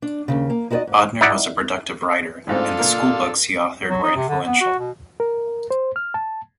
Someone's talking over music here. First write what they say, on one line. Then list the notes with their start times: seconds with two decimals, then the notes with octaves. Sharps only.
Odhner was a productive writer, and the schoolbooks he authored were influential.
0.02 D4
0.28 D#2 C#3
0.50 A#3
0.70 D#4 E4 F#4 C5 D5 D#5
0.87 G#2 F5
1.21 D#4 E4 D5 F#5
2.47 A1 G#2 C4 D4 F4 A4
2.79 A#2 A#3 A#4
3.90 F#3
4.03 D#4
4.16 C3
4.28 D3
4.45 B3
4.60 F#4
4.78 B2
5.20 A#4
5.71 C5
5.96 F6
6.14 A5